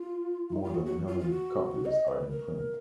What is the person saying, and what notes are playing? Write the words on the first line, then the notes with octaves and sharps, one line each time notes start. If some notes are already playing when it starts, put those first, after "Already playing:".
More than a million copies are in print.
Already playing: F4
D#4
F4
F#4
F#4
F4
F4
F#4
D#5
B4
A#4